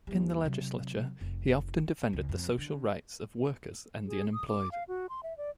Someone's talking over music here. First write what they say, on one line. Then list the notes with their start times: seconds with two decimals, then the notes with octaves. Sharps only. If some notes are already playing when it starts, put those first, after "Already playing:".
In the legislature, he often defended the social rights of workers and the unemployed.
0.07 D#2 G3
0.44 C3 F#3
1.21 F1
2.13 C#2
2.29 F2
2.58 D3
4.07 G#4
4.34 D#6
4.48 D6
4.72 F5
4.88 F#4
5.09 C6
5.23 E5
5.37 D5